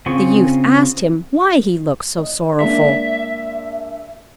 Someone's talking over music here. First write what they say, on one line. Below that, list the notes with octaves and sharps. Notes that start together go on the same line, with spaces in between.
The youth asked him why he looked so sorrowful.
C#3 C4 F4 G#4 C#6
D#5
G#3 A#3 D4 E5